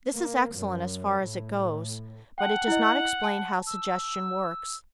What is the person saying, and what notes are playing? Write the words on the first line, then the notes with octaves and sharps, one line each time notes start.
This is excellent as far as it goes, but it does not explain how suggestion works.
A#3
F#2
A2
F#5 G5 A5
E4 D#5
A5
E6